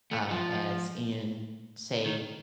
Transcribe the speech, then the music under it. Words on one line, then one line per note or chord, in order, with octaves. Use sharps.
uh, as in, say,
A3
F3
D#3